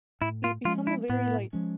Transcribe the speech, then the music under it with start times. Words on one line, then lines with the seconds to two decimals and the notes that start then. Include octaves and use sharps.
you become a very like
0.22 A2 E4
0.44 F4
0.65 F3 G#3 C#4 F4
0.87 E4
1.09 A2 B3
1.53 F3 G#3 C#4